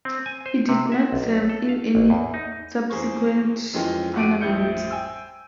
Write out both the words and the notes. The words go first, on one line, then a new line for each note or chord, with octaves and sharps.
He did not serve in any subsequent Parliaments.
C4
G#5
C5
C3
E5
B1
A4
F5
A1
E2
D#4
E2 G#4 C5 C#6
F2 E3 G#3 C#4 F4
F2 F#4 D6 D7 D#7
A1 F2 E4 G6 C#7
G5 G#5 E6